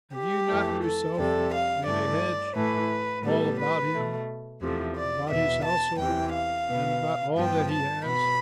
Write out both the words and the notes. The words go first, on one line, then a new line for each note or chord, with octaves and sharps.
Have you not yourself made a hedge all about him, about his household, and about all that he has?
G4
F2 E3 A3
A4
F2 C3 G3 A4
F5
G2 E3 A3 D5
A2 E3 A3 B4
A2 G3 B3 A4
B4
B2 A3
E2 C3 F3 A3
D5
E2 B2 B3 E5
A5
E2 C3 E3 G5
F5
B2 B3
G2 F3 B3 G5
A5
B2 B3 B5